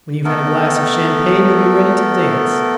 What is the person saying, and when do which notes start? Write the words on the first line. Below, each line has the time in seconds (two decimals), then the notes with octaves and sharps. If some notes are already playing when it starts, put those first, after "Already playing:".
When you've had a glass of champagne, you'll be ready to dance.
0.25 A3 B3 A4 A#4